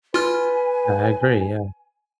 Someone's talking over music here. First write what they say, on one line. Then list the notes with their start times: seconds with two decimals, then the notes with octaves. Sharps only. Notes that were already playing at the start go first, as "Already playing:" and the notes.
Yeah, I agree, yeah.
0.14 F4 B4 G#5 F6